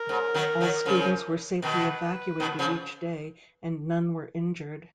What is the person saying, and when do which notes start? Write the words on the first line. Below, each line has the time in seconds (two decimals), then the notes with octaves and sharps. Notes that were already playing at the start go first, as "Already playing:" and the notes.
All students were safely evacuated each day and none were injured.
Already playing: A#4
0.09 G#2
0.34 D#3 F#3
0.60 D#3 F#3
0.86 C#3 F3
1.62 B2 D#3 B4
2.40 B2 D#3
2.59 C#3 F3